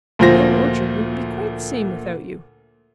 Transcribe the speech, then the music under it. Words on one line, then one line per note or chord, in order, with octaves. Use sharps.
The Old Orchard wouldn't be quite the same without you.
D2 A#2 F3 F4 C5 A#6